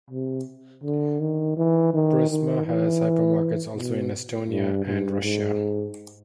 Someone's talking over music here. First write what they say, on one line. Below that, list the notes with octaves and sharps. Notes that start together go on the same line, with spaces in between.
Prisma has hypermarkets also in Estonia and Russia.
C3
D3
D#3
E3
D#3
D#3
E3
B2
G2
G2
G#2